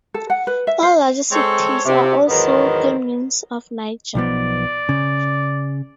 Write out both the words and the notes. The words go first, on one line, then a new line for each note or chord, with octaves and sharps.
All larger cities are also Communes of Niger.
A4
F#5
B4
E5
C5
G#3 C4 A4 C5 C#5
C3
E2 G#2 D#3 F#3 B3 C5
B1 F3 B3 D5
C#3